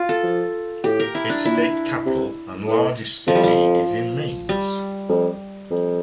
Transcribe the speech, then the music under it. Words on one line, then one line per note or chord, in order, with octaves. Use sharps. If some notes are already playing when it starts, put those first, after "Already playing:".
Its state capital and largest city is Mainz.
Already playing: F4
A4
F3
A2 G4
A#4
E4
D4
A#2 E4
C3
A2
F2 F3
G3
F3
G3
F2
F2